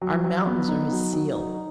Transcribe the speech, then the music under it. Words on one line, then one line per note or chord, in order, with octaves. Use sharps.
Our mountains are his seal.
F#3
F#3
B3
D#4
F#3
F#3
D#4